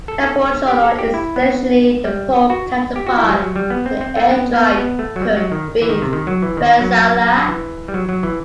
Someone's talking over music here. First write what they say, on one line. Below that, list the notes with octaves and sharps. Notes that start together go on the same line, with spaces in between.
Capocollo is essentially the pork counterpart of the air-dried, cured beef "bresaola".
A4
A4
G4
A4
G4
E4
B3
G3
F#4
G4
F#4
E4
F#3
G3
F#3
G3
B3
C4
C4
A3
B3
B3
B3
A3
F#3
G3
F#3
D#3
E3
D#3
C3
D#3
F#3
E3
D#3
F#3
E3
G3
F#3
F#3
E3